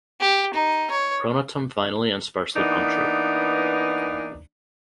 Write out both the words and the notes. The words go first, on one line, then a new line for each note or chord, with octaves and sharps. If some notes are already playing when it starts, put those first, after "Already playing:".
Pronotum finely and sparsely punctured.
G4
D#4
C#5
E3 A#3 B3 D4 D#4